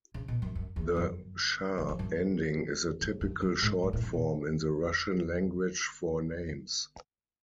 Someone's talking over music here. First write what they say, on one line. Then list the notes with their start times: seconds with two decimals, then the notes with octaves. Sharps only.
The "sha" ending is a typical short form in the Russian language for names.
0.14 C#3
0.28 B2
0.42 F#2
0.55 F#2
0.76 E2
0.96 F#2
1.78 F#2
1.89 E2
1.99 F#2
3.01 F#2
3.21 F#2
3.42 F#2
3.62 G#2
3.83 G#2
3.93 A2
4.03 C#3
4.14 B2